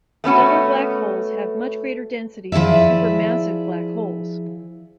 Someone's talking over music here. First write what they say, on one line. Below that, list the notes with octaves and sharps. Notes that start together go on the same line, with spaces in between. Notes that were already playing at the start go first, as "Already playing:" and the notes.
Stellar black holes have much greater densities than supermassive black holes.
A3 B3 C#4 F#4
F3 E4 G#4 D5 E5